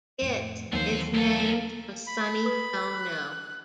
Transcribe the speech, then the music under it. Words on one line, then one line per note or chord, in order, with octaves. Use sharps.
It is named for Sonny Bono.
F2 A2
D#2 C3 E3 F#3 B3 C5
C#2 A#3 A4
B5
B4 D#6
F#6